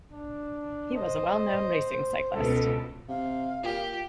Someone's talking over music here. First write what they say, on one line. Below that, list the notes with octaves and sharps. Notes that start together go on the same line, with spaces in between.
He was a well-known racing cyclist.
D4
C5 D#5
C#2 B2 A4
C3 F5
A#2 G4